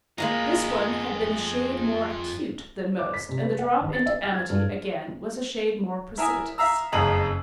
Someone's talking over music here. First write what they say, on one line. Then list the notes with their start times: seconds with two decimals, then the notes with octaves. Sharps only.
This one had been a shade more acute than most, and the drop into amity again was a shade more precipitous.
0.18 F2 G#3 A#3 F5 A#5 B5
2.99 D6
3.14 B6
3.29 C3
3.42 B4
3.59 F#5
3.81 D#3
3.93 A6
4.06 E5
4.23 F6
4.34 G#6
4.50 G2
6.18 E4 A#4 E5 G#5 D#6
6.58 E5 F5 A#5 E6
6.92 F#1 F2 C#3 D#5 A#5 F#7